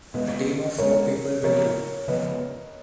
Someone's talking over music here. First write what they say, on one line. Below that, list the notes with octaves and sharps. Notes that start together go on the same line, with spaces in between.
A team of four people will do.
B2 G#3 B3 B4 D#5
B2 G#3 B3 A#4 C#5
C#3 F3 B3 A#4 C#5
C#3 F3 B3 B4 D#5